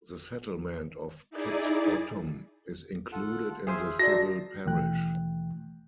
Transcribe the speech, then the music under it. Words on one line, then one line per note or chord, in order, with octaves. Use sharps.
The settlement of Pett Bottom is included in the civil parish.
D#4 E4 G#4 D5
F4 A4 F#5
G#4 C5 E5 F5
D#4 F#4 D5 E5 A5 A#6
D#2 B2 E3 A3 G5 F#6